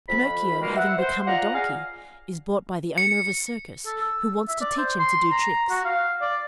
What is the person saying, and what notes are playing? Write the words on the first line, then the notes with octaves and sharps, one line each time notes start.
Pinocchio, having become a Donkey, is bought by the owner of a Circus, who wants to teach him to do tricks.
F2 B5
B2 D#3 G3 G#3 A#3
E5 F#5
C5
F4 D5 D#5 F#5 A#5
F4 G#4 F5
C#7
A4
E6
E5
D5
C5
C6
A#5
F#4
F5
D5